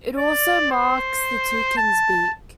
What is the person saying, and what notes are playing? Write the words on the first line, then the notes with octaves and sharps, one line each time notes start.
It also marks the toucan's beak.
D5
C5
A5